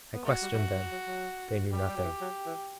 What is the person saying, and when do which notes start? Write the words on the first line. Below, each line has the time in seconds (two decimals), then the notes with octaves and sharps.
I questioned them. They knew nothing.
0.14 B3
0.26 A3 F#4
0.42 G3
0.54 G3
0.58 A3
0.75 F#3
0.91 F#3
1.07 F#3
1.72 G3 G4
1.88 G3
1.97 F#3
2.04 E3
2.21 F#3
2.46 E3